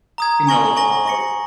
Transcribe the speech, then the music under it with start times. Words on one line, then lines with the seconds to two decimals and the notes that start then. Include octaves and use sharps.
you know, uh,
0.18 A#5 D#6 G#6
0.47 G#5 C#6 A#6 F#7
0.77 G#5 C#6 A#6 F#7
1.06 C#6 A#6 C#7